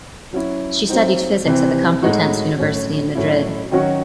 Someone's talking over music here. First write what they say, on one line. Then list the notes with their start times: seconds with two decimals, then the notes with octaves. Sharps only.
She studied physics at the Complutense University in Madrid.
0.33 F#3 C#4 E4
0.89 F#3 C4 D#4
1.45 C3 E3 C4
2.03 A2 G#3 D#4 F#4
2.58 A2 F#3 C#4
3.15 A2 F#3 C#4 E4
3.71 D#3 F#3 C#4 F#4